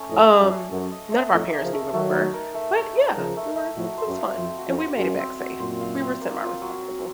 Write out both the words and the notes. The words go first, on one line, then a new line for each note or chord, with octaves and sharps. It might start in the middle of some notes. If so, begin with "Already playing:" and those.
Um, none of our parents knew where we were, but yeah, we were it was fun, and we made it back safe. We were semi-responsible.
Already playing: A3 C#4 A4
F2 A2 D#5
A3
F#2
C#4
F#2 A4
D#5
A3
F2 A2 D#4
A#4
C#3 F3
A3
D#3 F#3 A3
D#4
A#4
A3
A3
D#4
C#3 F3 A#4
A3
A3
F2 A2 F#4
C5
F#2
F5
F2 C4
F#4
F2
C5
F#2 F5
C4
F#4
F#2 A#2 C5
F5
C4
A#3
F4
F#3
F#3